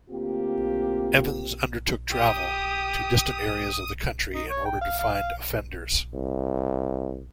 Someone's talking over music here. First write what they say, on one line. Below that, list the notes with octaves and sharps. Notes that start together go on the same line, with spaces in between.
Evans undertook travel to distant areas of the country in order to find offenders.
D2 A#3 C4 F4 G4
G4 D#6
D#4
C#5
G5
F5
F5
F5
C2